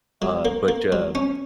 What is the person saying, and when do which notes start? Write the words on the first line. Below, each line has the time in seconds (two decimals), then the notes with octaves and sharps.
uh, but, uh,
0.22 F#3
0.45 A#3
0.68 A#3
0.92 F#3
1.15 C#4